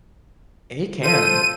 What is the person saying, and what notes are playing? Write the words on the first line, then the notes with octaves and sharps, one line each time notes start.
A can.
F4 A4 C5 D#7